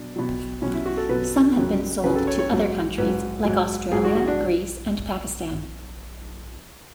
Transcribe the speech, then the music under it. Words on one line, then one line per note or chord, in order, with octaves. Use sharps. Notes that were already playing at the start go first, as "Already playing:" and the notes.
Some have been sold to other countries like Australia, Greece, and Pakistan.
Already playing: B2 F#3 D4
B2 F#3
B2 F#3 C#4
E4
F#4
A4
B2 F#3 B4
F#2 C#3 F#3
F#2 C#3 F#3 B4
A4
C#5
C#5
G#2 F#3
G#2 F#3 B4
G#2 F#3
G#2 F#3 G#4
F#4
F#4
D4